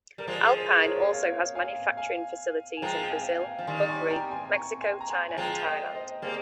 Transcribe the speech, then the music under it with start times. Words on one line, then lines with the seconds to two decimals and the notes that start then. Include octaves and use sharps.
Alpine also has manufacturing facilities in Brazil, Hungary, Mexico, China, and Thailand.
0.18 G3 A#4
0.27 F3 G#3 G#4 C5
0.56 G#4 C5
0.79 C5
0.85 A#4 C#5
1.12 C#5 F5
1.55 F5 G#5
1.97 F5 G#5
2.77 G#5
2.82 F3 G#3 G5 A#5
3.03 G5
3.11 F5 G#5
3.39 F5 G#5
3.59 F3
3.67 D#3 G3 G#5 C6
3.89 G#5 C6
4.10 G5 A#5
4.31 G#5 C6
4.53 A#5 C#6
4.81 G#5 C6
5.00 A#5
5.09 G#5 C6
5.29 G#5
5.37 F3 G#3 G5 A#5
5.66 D#5 G5
5.95 C5 D#5
6.22 G3 A#3 G#4 C5